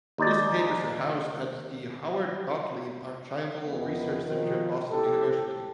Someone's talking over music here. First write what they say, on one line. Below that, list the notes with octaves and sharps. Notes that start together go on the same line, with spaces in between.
His papers are housed at the Howard Gotlieb Archival Research Center at Boston University.
D#2 D#4 D5
F2 D#3 E3 B3
D#3 F3
A2 G4 A4